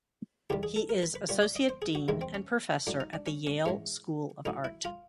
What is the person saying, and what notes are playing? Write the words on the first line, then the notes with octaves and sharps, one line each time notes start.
He is Associate Dean and professor at the Yale School of Art.
E2 C3 D#3 G3 G4
G#4
A4
A#4
B4
B4
A#2 G3 C#5
D5
D#5
C5
G#4
F#4
E2 C3 D#3 G#3 E4
C4
C#4
A2 F#3 D4
D#4
D4
C#4
C#4
G#2 E3 G#3 C#4
A2 F#3 D#4
E4
F4